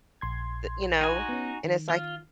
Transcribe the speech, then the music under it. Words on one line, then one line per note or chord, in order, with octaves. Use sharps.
Th You know? And it's like
A#1 C6 G#6
D#4 F#4 G#5
B3 C#4
D#3
F4